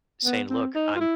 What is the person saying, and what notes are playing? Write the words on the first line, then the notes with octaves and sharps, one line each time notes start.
saying, "Look, I'm
B3
C4
D#4
F4
E4